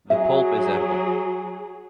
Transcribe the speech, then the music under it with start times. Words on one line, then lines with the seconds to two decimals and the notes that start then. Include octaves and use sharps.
The pulp is edible.
0.10 F#3 G#4 E5